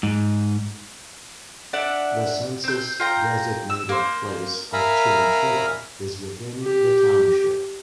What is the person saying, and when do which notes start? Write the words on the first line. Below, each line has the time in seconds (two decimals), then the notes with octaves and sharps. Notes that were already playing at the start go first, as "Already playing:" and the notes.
The census-designated place of Chinchilla is within the township.
0.03 G#2
1.73 D4 D5 E5 F#5
2.64 C4 G6
3.00 F4 G5 A#5
3.70 E6
3.89 A#3 C5
4.73 A#4 E5 F5 G#5 A#5 B5
6.64 G4